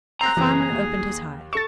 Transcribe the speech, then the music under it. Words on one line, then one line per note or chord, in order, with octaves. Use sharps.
The farmer opened his hive.
C4 A#5 F#6 A#6 C7
F#1 C#3 E3 B3 G#4
D#2
A4 C#6 A6 C#7 E7